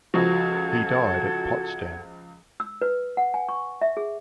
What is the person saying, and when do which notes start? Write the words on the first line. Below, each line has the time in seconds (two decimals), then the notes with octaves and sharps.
He died at Potsdam.
0.14 C#2 F3 F#4 A4 F#5 G#6
2.60 E6
2.81 B4
3.17 F#5
3.34 G#5
3.49 C#6
3.81 E5
3.97 G#4